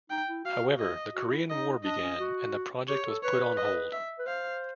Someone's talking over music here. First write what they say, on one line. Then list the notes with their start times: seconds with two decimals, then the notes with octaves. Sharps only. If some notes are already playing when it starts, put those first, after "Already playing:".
However the Korean War began and the project was put on hold.
0.10 D#4 G5
0.28 E4
0.45 F#4 F5
0.79 D#5
1.15 F#4
1.32 E4
1.50 D#4 D#5
1.83 D4 D#5
2.01 C#4
2.19 F#4
2.88 G4 C#5
3.06 A4
3.23 B4 C#5
3.57 D#5
3.92 E5
4.19 B4
4.26 C5 F5